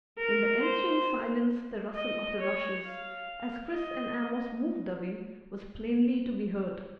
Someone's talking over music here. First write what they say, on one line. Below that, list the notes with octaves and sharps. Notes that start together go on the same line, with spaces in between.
In the ensuing silence the rustle of the rushes as Chris and Amos moved away was plainly to be heard.
A#4
C5
D#5
C#5
F5
D#5